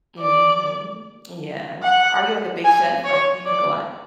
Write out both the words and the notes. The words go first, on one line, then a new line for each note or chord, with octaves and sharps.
Mhm, yeah. Are you, like, a big chef? Like, do you cook a lot?
D5
F#5
G#5
C#5
D5